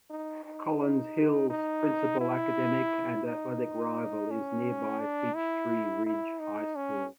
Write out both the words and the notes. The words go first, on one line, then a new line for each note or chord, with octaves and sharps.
Collins Hill's principal academic and athletic rival is nearby Peachtree Ridge High School.
D#4
D#4
D#4
E4
D#4
C#4
D4
E4
E4
D#4
C#4